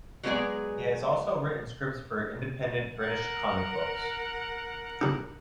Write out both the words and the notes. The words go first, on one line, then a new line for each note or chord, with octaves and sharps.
He has also written scripts for Independent British comic books.
F#3 G#3 B3 E4 G#4 D5
A#4 F#5